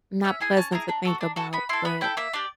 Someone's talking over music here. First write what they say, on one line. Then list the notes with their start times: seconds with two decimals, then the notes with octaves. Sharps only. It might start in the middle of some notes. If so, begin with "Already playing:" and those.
not pleasant to think about but
0.24 C#4 E5
0.41 E4 G#4 G#5
0.57 C#4 A5
0.72 E4 G#4 A#5
0.89 D4
1.05 F#4 A4
1.21 D4
1.36 F#4 A4
1.53 B3 B5
1.69 E4 A4 C6
1.85 B3 B5
2.01 E4 A4 G5
2.17 A#3 E5
2.33 D4 G4 D5